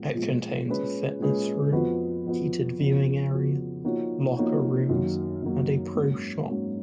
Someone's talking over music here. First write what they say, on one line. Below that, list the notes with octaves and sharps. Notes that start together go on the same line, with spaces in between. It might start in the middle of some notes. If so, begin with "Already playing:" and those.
It contains a fitness room, heated viewing area, locker rooms, and a pro shop.
Already playing: A#2 F3 G#3 B3
A#2 F3 G#3 B3
A#2 G#3 C#4 G#4 B4
A#2 G#3 C#4 G#4 B4
F2 F3 B3 F#4 B4
F2 F3 B3 F#4 B4
F2 C#3 F3 B3 F#4
F2 C#3 F3 B3 F#4
F3 A#3 D#4 F#4 C#5
F3 A#3 D#4 F#4 C#5
F#2 D#3 F#3 A#3
F#2 D#3 F#3 A#3
G#2 F#3 A#3 C#4 F#4
G#2 F#3 A#3 C#4 F#4